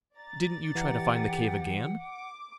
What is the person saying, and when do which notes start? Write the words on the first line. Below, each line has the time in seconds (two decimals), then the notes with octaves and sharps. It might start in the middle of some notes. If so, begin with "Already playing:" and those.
"Didn't you try to find the cave again?"
0.16 D5 A#5 A6
0.75 E3 G4 F#5
2.02 D6